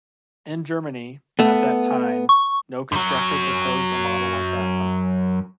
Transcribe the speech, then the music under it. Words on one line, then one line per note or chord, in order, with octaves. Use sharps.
In Germany. at that time, no constructor proposed a model like that one.
A3 B3
C#6
F#2 F#3